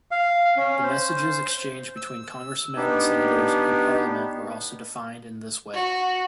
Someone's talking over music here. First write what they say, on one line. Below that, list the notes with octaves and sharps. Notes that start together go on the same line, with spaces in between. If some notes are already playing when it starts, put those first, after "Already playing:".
The messages exchanged between congressmen and senators in parliament were also defined in this way.
F5
C#4
C5
E6
B3 D4 D#4 G4
F#4